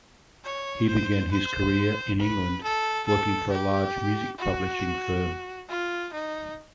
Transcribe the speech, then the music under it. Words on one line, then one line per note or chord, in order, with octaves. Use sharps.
He began his career in England working for a large music publishing firm.
C#5
C5
C5
B4
A4
A4
G4
F#4
F4
D#4